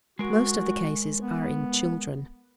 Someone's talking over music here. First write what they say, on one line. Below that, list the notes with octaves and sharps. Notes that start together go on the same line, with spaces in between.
Most of the cases are in children.
G#3 F#4 A#4
B3